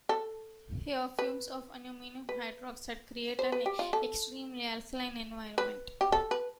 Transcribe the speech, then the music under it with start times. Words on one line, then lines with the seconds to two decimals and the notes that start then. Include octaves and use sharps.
Here, fumes of ammonium hydroxide create an extremely alkaline environment.
0.09 A4
1.19 B4
2.29 B4
3.39 C5
3.52 B4
3.66 G4
3.79 F4
3.93 A4
5.58 B4
6.01 G4
6.12 A4
6.31 B4